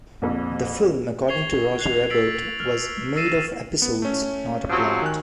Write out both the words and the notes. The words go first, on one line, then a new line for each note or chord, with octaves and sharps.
The film according to Roger Ebert was "made of episodes, not a plot".
A#1 F2
C#6 G#6 C7 F7 G7
F#6 G#6 C7 F7
E6 A6 B6 C7 D7 F#7
F6
E6 A6 A#6 C7 D#7 E7
B3
A3 C#4
C3 F3 F#3
D#3 G#5 F#6